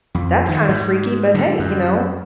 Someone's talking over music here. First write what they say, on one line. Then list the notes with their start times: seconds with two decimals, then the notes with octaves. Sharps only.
that's kinda freaky, but hey, you know,
0.15 F2
0.48 D#3
0.69 G#2
1.34 D3
1.59 F#2